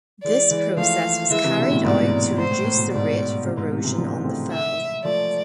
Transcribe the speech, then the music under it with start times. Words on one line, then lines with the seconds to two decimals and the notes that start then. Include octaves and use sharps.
This process was carried out to reduce the rate of erosion on the fell.
0.24 E3 G#3 D5
0.51 E3 G#3
0.77 F3 A3 F5
1.31 E3 G#3 E5
1.44 C3 E3
1.57 B2 D3
1.71 A2
1.84 G#2 B2 D5
2.11 G#2 B2
2.38 G#2 C5
2.51 A2
2.64 A2
2.77 B2
2.86 A2
2.91 G#2 B2 D5
3.45 A2 C3
3.57 G#2 B2
3.71 A2 C3
3.84 C3 E3
3.98 D3 F3
4.24 A3 C4
4.52 E5
5.04 F3 A3 D5